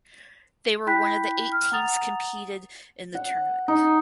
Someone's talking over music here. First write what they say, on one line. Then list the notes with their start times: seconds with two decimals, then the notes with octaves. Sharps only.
They were one of the eight teams competed in the tournament.
0.87 E4 G5 B5 F#6 G6 B6
1.52 F6
1.71 F#5 A#5 D#6 A6 F7
3.15 F#5
3.68 D#4